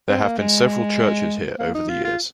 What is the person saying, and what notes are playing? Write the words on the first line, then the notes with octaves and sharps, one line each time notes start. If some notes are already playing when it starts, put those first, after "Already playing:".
There have been several churches here over the years.
C4
A#3
G#3
A#3
D#4
F4
F4